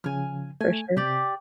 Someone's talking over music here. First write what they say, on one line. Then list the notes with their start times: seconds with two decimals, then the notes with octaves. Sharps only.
for sure.
0.04 C#3 F3 G#5 F6
0.61 A3 G#5
0.97 C3 G4 D5